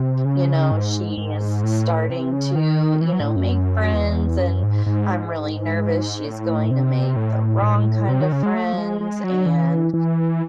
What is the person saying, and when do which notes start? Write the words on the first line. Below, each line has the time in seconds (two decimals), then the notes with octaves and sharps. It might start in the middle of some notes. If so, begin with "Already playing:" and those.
you know, she’s s starting to, you know, make friends and I'm really nervous she's going to make the wrong kinda friends and,
Already playing: C3
0.25 C#3
0.71 G#2
1.17 G#2
1.63 A2
2.10 C3
2.32 C#3
2.56 D#3
3.01 E3
3.13 F#3
3.20 G#2
3.24 A2
3.36 F#2
3.93 E2
4.39 F#2
4.63 G#2
4.86 G#2
6.24 A2
6.71 C3
7.16 A2
7.62 A2
8.09 C3
8.21 D#3
8.32 C#3
8.43 G#3
8.54 A3
8.73 F#3
8.78 G#3
9.01 G#3
9.24 F#3
9.46 E3
9.93 E3